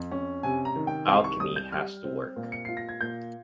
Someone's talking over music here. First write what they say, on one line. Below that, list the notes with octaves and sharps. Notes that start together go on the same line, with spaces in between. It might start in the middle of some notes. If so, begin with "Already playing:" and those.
Alchemy has to work.
Already playing: F2
C#4
C3 G#5
A#5
D#3
G5
C2 F5
C#6
G3 D#6
G6
G3 F6
C4
A#2
C#7
F4 C7
A#6
G#6
A#2 G6